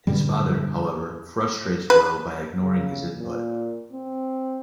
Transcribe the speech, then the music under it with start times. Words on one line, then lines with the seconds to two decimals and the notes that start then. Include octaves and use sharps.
His father, however, frustrates Will by ignoring his input.
0.07 G2 A#2 D3 G3
1.90 B4
2.61 C#3
3.18 A#2
3.92 C4